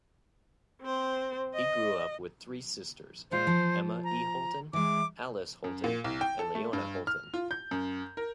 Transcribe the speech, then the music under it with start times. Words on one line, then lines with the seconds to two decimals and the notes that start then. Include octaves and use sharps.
He grew up with three sisters: Emma E. Holton, Alice Holton and Leona Holton.
0.82 C4 C5
1.55 D#5
3.31 A#2 G#3 F4 C5
3.47 F3
4.04 A#5
4.73 E3 G#3 D6
5.64 F#2
5.84 A#2
6.04 C2
6.21 G5
6.39 A4
6.55 A3
6.73 G2
7.07 F6
7.34 F4
7.51 G6
7.71 F#2
8.17 A#4